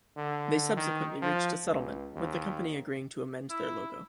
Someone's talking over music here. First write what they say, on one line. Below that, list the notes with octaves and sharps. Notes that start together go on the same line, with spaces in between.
They subsequently reached a settlement, with the company agreeing to amend their logo.
D3
D#3
F3
C#2
D#2
E4